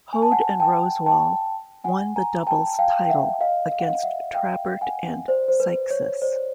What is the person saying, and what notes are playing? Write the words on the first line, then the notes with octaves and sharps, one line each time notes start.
Hoad and Rosewall won the doubles title against Trabert and Seixas.
G#5
A5
F#5 G#5
G5 A5
G5 A5
F#5 G#5
G#5 A#5
G5 A5
F5 G5
G5
E5 F#5
D#5 F5
F5
F#5
D#5 F5
E5 F#5
F5 G5
F#5 G#5
C5 D5
C5
B4
C#5
C5 D5